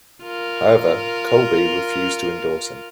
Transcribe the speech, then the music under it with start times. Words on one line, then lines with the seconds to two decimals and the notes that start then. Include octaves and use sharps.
However, Kolbe refused to endorse him.
0.23 F4 A#4